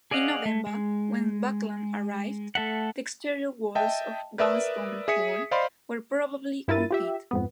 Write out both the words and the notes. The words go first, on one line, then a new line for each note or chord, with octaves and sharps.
In November, when Buckland arrived, the exterior walls of Gunston Hall were probably complete.
G#4 D5 D#5 F5 F#5
A3
G#3
A3 A4 E5 F#5
D#5 E5 G5 A5
A#4 B4 D5 E5 D#6 E6
G#4 E5 D#6 B6 C#7
C5 D5 D#5 F5 B5 C6
G2 E4 F4 A#4 A6 D#7
F4 G4 E5
F2 G#2 B3